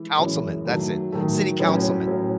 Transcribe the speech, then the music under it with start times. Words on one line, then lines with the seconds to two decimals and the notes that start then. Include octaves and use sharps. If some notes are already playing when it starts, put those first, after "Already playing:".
councilman. That's it, city councilman.
Already playing: E3 G#3
0.18 F#2 E3 G#3
0.65 D#3 F#3 A3
1.12 D#3 F#3 A3
1.60 A2 F#3 C#4
2.06 A2 F#3 C#4